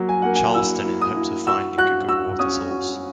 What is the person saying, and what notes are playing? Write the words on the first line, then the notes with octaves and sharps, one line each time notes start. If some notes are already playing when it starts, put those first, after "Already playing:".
Charleston in hopes of finding a good water source.
Already playing: F#3 A#3
G#5
A#3 F#5
G#5
E4 E6
E4
D#6
E4
F#4 E6
F#4 F#6
F#4 E6
C#4 D#6
F#4